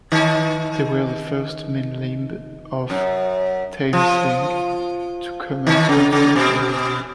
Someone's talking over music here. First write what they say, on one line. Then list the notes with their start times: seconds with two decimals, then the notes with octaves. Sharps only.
They were the first main limb of Thameslink to commence construction.
0.12 D#3
2.90 F#2
3.93 F3
5.67 D#3
5.89 C#3
6.13 C#3
6.35 B2